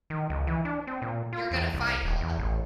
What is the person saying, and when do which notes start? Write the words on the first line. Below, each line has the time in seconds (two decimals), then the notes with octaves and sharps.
you're gonna find all that.
0.10 D#3
0.30 C#2
0.47 E3
0.65 D4
0.87 C4
1.02 A#2
1.33 F4
1.51 E2
1.74 C2
2.03 D#1
2.21 E2
2.39 A1